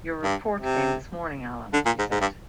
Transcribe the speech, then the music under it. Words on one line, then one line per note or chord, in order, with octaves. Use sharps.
"Your report came this morning, Alan," she said.
G2
C3
D3
A#2
G#2
G#2
G2